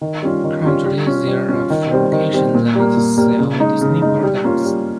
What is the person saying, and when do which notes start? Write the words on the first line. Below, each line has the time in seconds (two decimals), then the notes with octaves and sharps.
Currently, there are four locations that sell Disney products.
0.01 D#3
0.23 G3 C#4 F4
0.44 D#3
0.65 G3 C#4 F4
0.86 G3
1.07 C#4 F4
1.28 G3
1.49 C#4 F4
1.70 D#3
1.91 G3 C4
2.12 D#3
2.33 G3 C4
2.54 A#2
2.75 G3 A#3
2.97 A#2
3.17 G3 A#3
3.39 C#3
3.60 G#3 D#4
3.81 C#3
4.02 G#3 D#4
4.23 G3
4.44 A#3 C#4 F4
4.65 G3